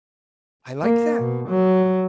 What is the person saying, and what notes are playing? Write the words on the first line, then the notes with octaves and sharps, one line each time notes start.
I like that.
A#3
B2
F#3